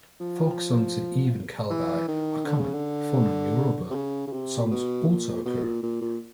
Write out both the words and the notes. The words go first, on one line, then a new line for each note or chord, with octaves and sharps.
Folk songs in Ewe and Kabye, are common, Fon and Yoruba songs also occur.
F3
E3
D#3
D3
C#3
D3
C3
C#3
C#3
C3
A#2
B2
A#2
B2
A#2
A#2
A#2